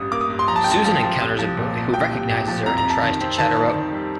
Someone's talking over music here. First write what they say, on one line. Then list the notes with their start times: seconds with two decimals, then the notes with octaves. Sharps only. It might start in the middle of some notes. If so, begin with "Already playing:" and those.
Susan encounters a boy who recognizes her and tries to chat her up.
Already playing: A1 G2 D#6
0.12 A#3 D6
0.21 D#6
0.30 G2
0.39 C6
0.48 F3 A#5
0.56 A5
0.64 A1 G5
0.72 A5
0.84 F3
1.03 F3
1.21 C2
1.39 F3
1.57 A#2
1.75 A#2
1.93 F3 G5
2.11 C2
2.30 A#2
2.48 F3
2.66 F2 A#5
2.78 A#5
2.85 F2
2.90 A5
3.02 D#3
3.21 C4
3.38 D#3 A5
3.57 F2
3.74 D#3
3.93 G3